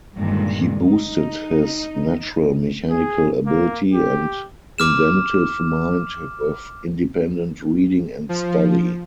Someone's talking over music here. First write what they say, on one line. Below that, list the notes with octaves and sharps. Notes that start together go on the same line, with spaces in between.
He boosted his natural mechanical ability and inventive mind with independent reading and study.
G2 A#2 D3 D#3 G#3
D#4
G#4
A#3
G4
D6 F6 E7
F3